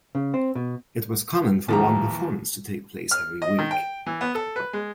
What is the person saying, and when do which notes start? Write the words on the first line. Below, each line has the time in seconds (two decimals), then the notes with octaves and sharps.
It was common for one performance to take place every week.
0.15 C#3
0.34 C4
0.55 B2
1.68 D#2 C#3 E3 F3 G4 A#5
3.11 F6
3.42 D#5
3.58 D#3
3.71 G5
4.06 E3
4.21 B3
4.35 A4
4.56 B4
4.73 G#3